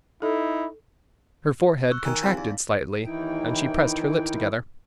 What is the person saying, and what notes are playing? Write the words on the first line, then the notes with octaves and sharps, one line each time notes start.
Her forehead contracted slightly and she pressed her lips together.
D#4 E4 A4
C#6 E6 F#6
D#3 D#4 G#5
C2 C4 D#4 F4 F5
E2
D#2 D#3 E3 D#4 E4 G5